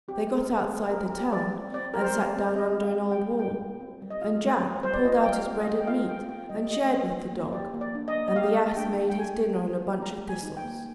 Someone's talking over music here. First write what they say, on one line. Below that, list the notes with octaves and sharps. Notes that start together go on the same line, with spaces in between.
They got outside the town, and sat down under an old wall, and Jack pulled out his bread and meat, and shared with the dog; and the ass made his dinner on a bunch of thistles.
C4 G4
G4
A#4
G4
G#4
C4
C4 A#4
G4
G4 D5
C4
C4 D5
G4 A#4
C5
G4
D5
C4
C4 D#5
G4
F5
G4
G5
C4
F4 G5
G3
C4
G3
D#5
F4 F5
G3
C4
G3 C5
D5
F4 D#5
G3 G5
F5
C4
D#5
G3
G5
F4 F5
G3 G5
C4 G5
G3 D#5
G4 D#5
A#3
D4
A#3
G4 D5
A#3
D5
D4
D#5
A#3
D#5
G4 F5
A#3
D4 G5
A#3
G5
G4 G#5
A#3
D4
A#3
G4 A#5
A#3
G#5
D#4
G5
A#3